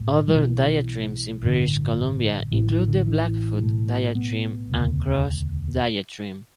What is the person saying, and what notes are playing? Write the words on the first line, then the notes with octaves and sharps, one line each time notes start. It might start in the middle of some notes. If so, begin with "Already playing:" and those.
Other diatremes in British Columbia include the Blackfoot diatreme and Cross diatreme.
Already playing: B1 A2
F#3
B1 B2 E3
A1 G2 D3
A1 A2 E3
E3
D3
E3
B1 A2
B3
E1 D2 C#3